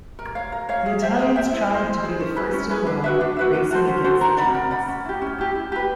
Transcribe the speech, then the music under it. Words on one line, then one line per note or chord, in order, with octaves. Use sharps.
The Italians tried to be the first in Rome, racing against the Germans.
A#4
C#5 F5
A#4
C#5 F5
G#4
C5 E5 G5
G#4
C5 E5 G5
E4
G#4 C5
E4
G#4 C5
C#4
E4 G#4 B4
C#4
E4 G#4 B4
D4
F#4 B4 E5
D4
F#4 B4 E5
C#4
F#4 A4 C5
C#4
F#4 A4 C5
A#4
D5 F#5 B5
A#4
D5 F#5 B5
C#4
E4 G4
C#4
E4 G4
E4
G4 B4